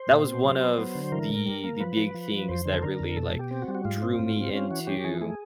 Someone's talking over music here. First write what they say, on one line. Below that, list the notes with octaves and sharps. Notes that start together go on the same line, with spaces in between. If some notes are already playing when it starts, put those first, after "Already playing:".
that was one of the the big things that really, like, drew me into
Already playing: C5
A#2
C4
F#3
B3
F#3
D3
E3 A#4
A2
G3
A#3
F3 B4
F3
F3
F3
F2 C5
D3
A4
D3 A#4
F2
B2 A4
B2
G4
C4
F#4
G3
F#4
G#2 F4
C4
G#2
C4
C#4 F4
E3 F#4
C#4 G4
E3 G#4
A3 G#4